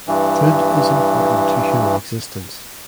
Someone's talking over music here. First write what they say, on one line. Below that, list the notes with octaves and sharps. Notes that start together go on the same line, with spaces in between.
Food is important to human existence.
G2 E3